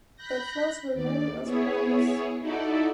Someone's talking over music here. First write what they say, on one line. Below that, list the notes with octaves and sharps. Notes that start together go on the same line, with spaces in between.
The class were known as 'Barneys'.
B5 F#6 G6 A#6
D#2 D5
B3 E4 G#4 C#5
D#4 E4 F#4 A4 D5